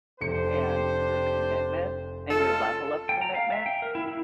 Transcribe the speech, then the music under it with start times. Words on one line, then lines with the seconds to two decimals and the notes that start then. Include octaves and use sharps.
and your commitment and your level of commitment
0.21 F1 D4 G4 C5 C#7
2.30 G#3 C#4 F4 A4
3.09 G5
3.21 A#5
3.35 F5
3.52 E5
3.66 G5
3.82 A#4
3.95 E4
4.08 E4